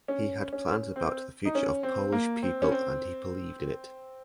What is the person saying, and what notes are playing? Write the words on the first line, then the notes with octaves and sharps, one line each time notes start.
He had plans about the future of Polish people and he believed in it.
C#4
C#4
C4
D#4
C#4
C4
A#3
C4
C#4
C4